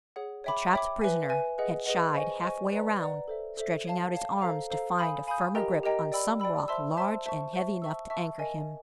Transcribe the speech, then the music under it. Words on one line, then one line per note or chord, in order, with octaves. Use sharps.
The trapped prisoner had shied halfway around, stretching out his arms to find a firmer grip on some rock large and heavy enough to anchor him.
G#4 C#5 F#5
C#5 E5 G5 B5 D6
C#5 E5 G5 B5 D6
B4 E5 G#5
B4 E5 G#5
G#4 B4 D#5 F#5
G#4 B4 D#5 F#5
C5 D#5 G#5 C#6
C5 D#5 G#5 C#6
B4 D5 F#5 A#5
B4 D5 F#5 A#5
A4 C5 E5
A4 C5 E5
C#5 F5 A5
C#5 F5 A5
A4 C5 F5 A#5
A4 C5 F5 A#5
F5 G#5 B5 D#6 G6
F5 G#5 B5 D#6 G6
G4 A#4 D#5 G5 A#5
G4 A#4 D#5 G5 A#5
D5 G5 B5 E6
D5 G5 B5 E6
C5 E5 A5 C6 E6
C5 E5 A5 C6 E6
C5 E5 A5 C#6
C5 E5 A5 C#6
E5 A5 C#6 E6
E5 A5 C#6 E6
A#4 D#5 G#5